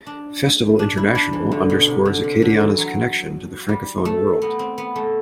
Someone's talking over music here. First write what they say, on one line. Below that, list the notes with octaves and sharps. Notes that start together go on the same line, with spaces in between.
Festival International underscores Acadiana's connection to the Francophone world.
D4
D4
E4
D4
E3
D3
B2
C3
D3
C3
D3
E3
F#3
G3
A3
B3
C4
B3
A3